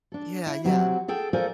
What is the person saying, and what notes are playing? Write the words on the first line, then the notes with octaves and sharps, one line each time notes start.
Yeah, yeah.
D4 A4
E4
F#3 C4 F#4 G4
G#4 A4 G5
A4 A#4 C5 D5 F5 G#5